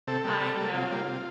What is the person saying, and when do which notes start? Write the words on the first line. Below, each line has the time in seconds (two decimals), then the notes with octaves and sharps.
I know.
0.07 C3 A4
0.24 G3 A#3
0.40 C3
0.57 G3 A#3
0.74 C3 F4
0.91 G3 A#3
1.08 C3